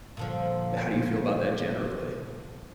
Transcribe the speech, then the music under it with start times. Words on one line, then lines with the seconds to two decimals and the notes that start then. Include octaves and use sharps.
how do you feel about that generally?
0.17 A#2 D3 F3